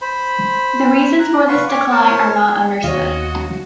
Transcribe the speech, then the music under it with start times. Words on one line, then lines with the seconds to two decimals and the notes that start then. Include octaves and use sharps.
The reasons for this decline are not understood.
0.02 C5 B5
1.19 A#5 F#6
1.48 B4 F5 F#5 C6 C#6
1.69 C#5 D6
1.91 A#4 C5 C#5 A5
2.31 F6
2.84 D#2 F4 F#4 C#5 D#5